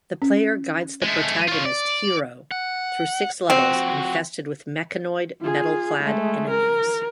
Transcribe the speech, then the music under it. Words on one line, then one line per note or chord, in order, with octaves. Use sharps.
The player guides the protagonist, Hiro, through six levels infested with mechanoid, metal-clad enemies.
C#4
G#3 A3
F4 C#5
D5
F#5
F3 C4 F#4
F4 G#4
G#3 A3
A#4